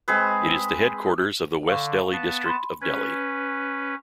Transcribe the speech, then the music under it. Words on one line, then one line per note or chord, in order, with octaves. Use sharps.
It is the headquarters of the West Delhi district of Delhi.
G#3 C4 G#4 B4
D3 F5 C#6
B3 A5
B5 C6
C#4 B4 G#6